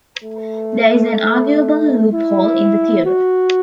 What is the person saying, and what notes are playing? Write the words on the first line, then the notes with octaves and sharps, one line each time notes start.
There is an arguable loophole in the theorem.
A3
E4
F#4